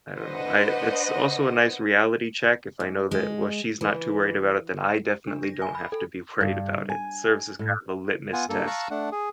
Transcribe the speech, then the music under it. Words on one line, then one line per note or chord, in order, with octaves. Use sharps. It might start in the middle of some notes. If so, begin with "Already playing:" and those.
I don't know, I it's also a nice reality check if I know that, "Well, she's not too worried about it, then I definitely don't have to be worried about it." Serves as kind of a litmus test.
D4 B4 C5 D#5 F#5
G#2
G#3
E3
D4
A#6
G#5
B5
A4
G2
G#5
A2
B3 F4 F#5 G#5
G2 A#3 A4
F5 A5 A#5 C#6 E6 F#6
A3 D4 F#5
G#4